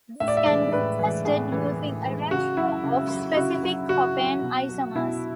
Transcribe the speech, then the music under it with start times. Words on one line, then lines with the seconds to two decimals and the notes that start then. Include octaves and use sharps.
This can be tested using a ratio of specific hopane isomers.
0.20 A2 E5
0.28 D5
0.37 E5
0.46 E3 G#3 D5
0.72 A2 B4
0.99 E3 G#3
1.25 A2 G#4
1.52 E3 G#3
1.79 A2
2.04 E3 G#3
2.31 C#3 F#4
2.57 F#3 E4
2.83 C#3
3.10 F#3
3.33 E4
3.37 C#3 F#4
3.63 F#3
3.89 C#3 F#4
4.17 F#3
4.42 B2
4.69 F#3
4.95 B2 E4